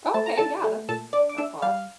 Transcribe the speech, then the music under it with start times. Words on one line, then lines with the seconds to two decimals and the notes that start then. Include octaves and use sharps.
Okay, yeah. That's that's hot.
0.14 A3 A5
0.26 A#5
0.37 D3 A4 A5
0.64 A3
0.89 A#2 A4 A5
1.13 D4 D5 D6
1.29 D6
1.38 D4 E5 E6
1.62 G3 F5 F6